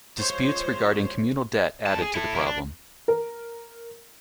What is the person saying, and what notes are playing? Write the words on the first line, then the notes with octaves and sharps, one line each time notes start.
Disputes regarding communal debt added to the problem.
F3 G#3 C5 C#5
G2 A5
G#4
E4 A4
E4 A#4
D4
A#4